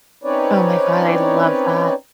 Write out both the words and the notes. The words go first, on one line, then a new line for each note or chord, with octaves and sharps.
Oh my god. I love that.
C4 C#4 D#4 B4 C#5 D5